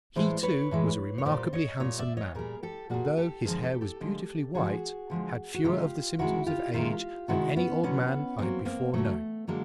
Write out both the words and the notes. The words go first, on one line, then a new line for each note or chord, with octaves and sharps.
He too was a remarkably handsome man, and though his hair was beautifully white, had fewer of the symptoms of age than any old man I had before known.
A2 E3 G#3 C5 D5
B4 C#5
A2 E3 G#3
C#5
A#2 G3 C5 D5
C#5 D#5
A#2 G3 C#5 D#5
D5 E5
C#5 D#5
A#2 G3 G#4 A#4
G4 A4
A#2 G3 F#4 G#4
G4 A4
D3 F3 G#3 G#4 A#4
G4 A4
G4 A4
D3 F3 G#3
D3 F3 G#3 F#4 G#4
D3 F3 G#3
F#4
C3 D#3 G#3 F4 G4
C3 D#3 G#3 E4 F#4
F4 G4
C3 D#3 G#3 F4 G4
C3 D#3 G#3 E4 F#4
B3 C#4
D3 F#3 B3 C#4
D3 F#3 A#3 C4
A#3 C4
D3 F#3 A3
D3 F#3 G#3 A#3